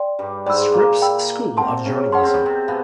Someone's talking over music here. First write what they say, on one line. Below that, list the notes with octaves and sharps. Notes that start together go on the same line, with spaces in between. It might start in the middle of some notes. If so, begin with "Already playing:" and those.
Scripps School of Journalism.
Already playing: D5 G5 C6
G2 G3
G#2 G#3 D5 G5 B5 E6
A#2 A#3
D5 G5 B5 E6
C3 C4 F#5 A5 C6
C#3 C#4
C#4 F#5 A5 C6
C4
B3
C3 C4
B2 B3 F5